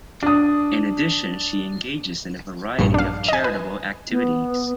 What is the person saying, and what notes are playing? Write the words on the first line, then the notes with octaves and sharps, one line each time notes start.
In addition she engages in a variety of charitable activities.
D4 D#6
A#1 G2
D4 F5
D#5 G#5
B4
B3